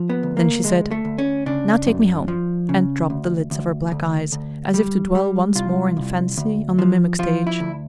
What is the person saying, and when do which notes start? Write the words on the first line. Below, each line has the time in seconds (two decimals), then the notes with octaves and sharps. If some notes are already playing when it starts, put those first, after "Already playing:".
Then she said, "Now take me home!" and dropped the lids of her black eyes, as if to dwell once more in fancy on the mimic stage.
Already playing: F3
0.10 B3
0.23 D2
0.37 A#3
0.64 D2 G#3
0.91 A3
1.05 D2
1.18 C#4
1.46 C#3 D4
1.87 F#2
2.28 F3
2.69 C#3
3.10 D2
3.51 D2
3.92 D2
4.32 D2
4.74 G3
5.15 G3
5.55 C2 F4
5.97 C2
6.37 D2
6.79 F3
7.19 F3 F4
7.47 E4
7.60 D2